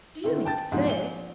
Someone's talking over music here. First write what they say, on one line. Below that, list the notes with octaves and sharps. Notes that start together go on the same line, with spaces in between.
Do you mean to say--?'
D3 D#3 C4 E4
G5 A5 A6
C2 F2 G#2 B2 E3 F3
A#1 G#5 G7